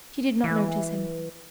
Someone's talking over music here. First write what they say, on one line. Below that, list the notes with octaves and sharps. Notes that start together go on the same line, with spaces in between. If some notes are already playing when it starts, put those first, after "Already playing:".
She did not notice him.
E3